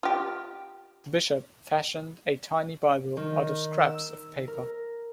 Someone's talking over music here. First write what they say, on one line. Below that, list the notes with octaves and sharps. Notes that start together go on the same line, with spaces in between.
The bishop fashioned a tiny Bible out of scraps of paper.
F4 G4
D#3
E6
A#4